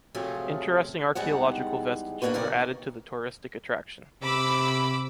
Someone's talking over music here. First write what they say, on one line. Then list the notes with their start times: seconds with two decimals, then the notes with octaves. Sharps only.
Interesting archeological vestiges are added to the touristic attraction.
0.14 C3 F3 F#3 A3 F4 G#4
1.15 E2 G3 G#3 D#4 F#5
2.22 A#3 C#4 D4 F#4 B4
2.34 C3 D#3 A#4 D5
4.23 C3 B5 D6 E6